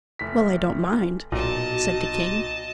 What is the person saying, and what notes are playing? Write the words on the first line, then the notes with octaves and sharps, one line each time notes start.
"Well, I don't mind," said the king.
F1 B6
B1 A#2 F#4 D#5 A5